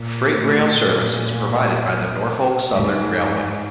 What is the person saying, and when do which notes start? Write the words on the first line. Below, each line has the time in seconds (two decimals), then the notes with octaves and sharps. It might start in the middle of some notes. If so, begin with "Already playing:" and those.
Freight rail service is provided by the Norfolk Southern Railway.
Already playing: A#2
0.32 A2
0.73 A#2
2.75 G#2